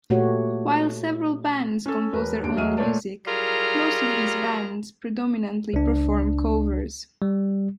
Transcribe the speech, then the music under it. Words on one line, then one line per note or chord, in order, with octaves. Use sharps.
While several bands compose their own music, most of these bands predominantly perform covers.
A#2 A3 F#4 G4 C#5
C#4 A4
E1 A#4 B4
E1 D#2 D4 D7
E1 F#3 G#3 E5 F6 D#7
A#2 A3 C#5 D5 A5
F#3 G3 F4 G#4 A#4
C#2 D4
G3